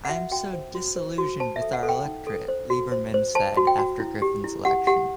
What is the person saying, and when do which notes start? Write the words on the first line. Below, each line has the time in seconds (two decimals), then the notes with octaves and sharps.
"I am so disillusioned with our electorate," Lieberman said after Griffin's election.
0.05 F#5
0.09 F#4 E5
0.31 F#4 G5
0.53 C5
0.75 F#4
0.96 C5
1.18 F#4
1.40 C5 A5
1.56 E5
1.62 A4
1.73 F#5
1.83 A4
1.89 G5
2.06 D#4
2.27 A4
2.48 C5
2.70 F#4
2.92 C5
3.14 C5
3.35 C5 A5
3.57 F#4
3.67 G5
3.79 F#4
4.00 E4
4.22 G4
4.44 E4
4.65 G4 F#5
4.87 G4 F#5